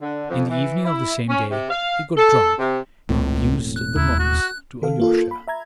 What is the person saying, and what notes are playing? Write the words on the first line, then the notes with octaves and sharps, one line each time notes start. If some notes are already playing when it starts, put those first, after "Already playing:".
In the evening of the same day he got drunk and abused the monks to Alyosha.
D3
F2
E3
E4
C#4
C3
F5
A4
C3
E1 C#2 A2 C4
F#6
D#2 E4
F#4
D#3 A4 F5
A#3 F4 A4
B5
E5 A#5 G#6